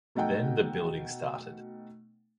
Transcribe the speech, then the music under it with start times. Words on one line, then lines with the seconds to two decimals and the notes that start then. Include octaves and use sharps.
Then the building started.
0.15 B2 A3 D#4 F#5 G5